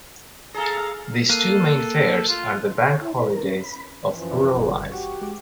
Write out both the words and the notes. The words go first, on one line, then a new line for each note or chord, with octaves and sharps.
These two main fairs are the Bank Holidays of rural life.
G#4 A4 F5 A#5
A#3 A4 F#6 C7 D#7
F4
C#5
E4
B4
A#4
C#4
B5
F#2 E3 F3
D5 E5
G1 G3 C#5
F2
F#4 G4 F#5 C#6
G#3 D6